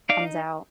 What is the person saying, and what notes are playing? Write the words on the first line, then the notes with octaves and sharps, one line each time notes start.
comes out.
D#4 D5 F5